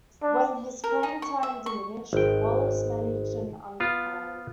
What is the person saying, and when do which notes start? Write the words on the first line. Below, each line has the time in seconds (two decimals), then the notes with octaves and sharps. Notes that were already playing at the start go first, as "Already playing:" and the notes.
When his playing time diminished, Wallace managed and umpired.
0.22 D4
0.84 A#4
1.03 D#4
1.22 C#6
1.43 E5
1.66 C#6
2.13 G#1 G5
3.80 B3 F4